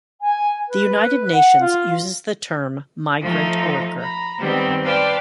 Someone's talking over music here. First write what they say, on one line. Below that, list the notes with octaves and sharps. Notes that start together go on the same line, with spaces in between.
The United Nations uses the term migrant worker.
G#5
B4
F#5
F4
F3 A3 D#4
A#5 B5
D#3 G3 B3 C4
B4 C5 D5 F5 G5 A5